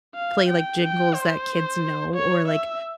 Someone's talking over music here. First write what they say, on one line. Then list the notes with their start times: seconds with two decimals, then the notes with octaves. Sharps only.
play, like, jingles that kids know, or, like,
0.15 F5
0.48 G5
0.81 G5
1.14 C5
2.14 C#5
2.48 E5